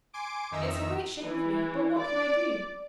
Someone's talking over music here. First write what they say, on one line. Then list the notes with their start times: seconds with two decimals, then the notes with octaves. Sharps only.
It's a great shame of me; but what can I do?
0.13 G#5 C6 D6 D7
0.51 F2 D#3 D#4 E5 A#5 E6
1.22 E3
1.98 D5